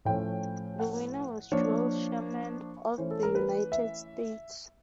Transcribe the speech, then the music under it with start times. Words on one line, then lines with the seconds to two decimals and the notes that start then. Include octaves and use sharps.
The winner was Joel Sherman of the United States.
0.05 A2 F3 A3 C#4 G5
0.79 F#5
1.52 F3 A#3 D4 C#5
2.98 E3 A3 C#4 C5
3.11 A4
3.23 A#4
3.35 B4
3.72 E5